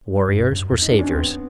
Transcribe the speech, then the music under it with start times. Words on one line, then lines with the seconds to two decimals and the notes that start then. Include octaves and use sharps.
Warriors were saviours.
0.29 G2
0.41 G#2
0.52 G2
0.72 F2
0.82 D#4
0.90 D4
0.99 C#4
1.07 C4
1.15 E2 B3